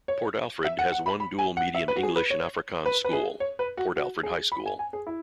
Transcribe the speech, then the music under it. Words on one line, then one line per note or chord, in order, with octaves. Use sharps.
Port Alfred has one dual medium English and Afrikaans school, Port Alfred High School.
C#5
E5
F#5
F#5
B5
B5
G#5
F#5
E5
B4
F#4
G#4
B4
C#5
B4
B4
G#4
C#5
B4
F#4
F#4
G#4
B5
G#5
G#5
G#4
E4